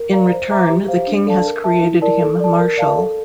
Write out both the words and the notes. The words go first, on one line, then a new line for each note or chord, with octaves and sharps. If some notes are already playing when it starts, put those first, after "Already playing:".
In return, the King has created him Marshal.
Already playing: A#4
D5 F5 A#5
C5
E5 A#5 D6
G4
C5 F5
D4
A4 D5 F5 A5
A#4
E5 A5
E4
A#4 D5 A5
A4
D5 A5
A#4
D5 F5 A5
A4